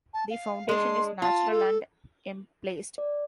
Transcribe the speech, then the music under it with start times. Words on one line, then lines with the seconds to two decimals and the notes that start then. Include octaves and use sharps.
The foundation is natural and emplaced.
0.14 A5
0.30 F5
0.69 G#3 D4 C6
1.22 F4 A5
1.52 A4
2.98 D5